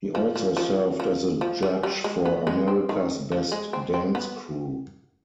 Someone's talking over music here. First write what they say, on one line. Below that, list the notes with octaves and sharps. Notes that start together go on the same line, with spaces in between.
He also served as a judge for "America's Best Dance Crew".
F3
F3
F3
F3
F3
G3
G3
G#3
B3
G#3
C4
D#3
F3
G#3
C4
C4
B3